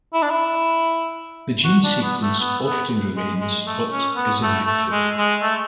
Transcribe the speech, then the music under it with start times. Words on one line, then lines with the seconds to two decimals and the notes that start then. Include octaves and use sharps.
The gene sequence often remains, but is inactive.
0.13 E4
0.22 D4
0.30 E4
1.64 F#4
1.84 D4
2.02 B3
2.22 A3
2.40 B3
2.66 B3
3.16 G#3
3.41 G#3
3.66 A3
3.91 C#4
4.16 B3
4.42 A3
4.66 A3
4.91 G#3
5.18 G#3
5.42 A3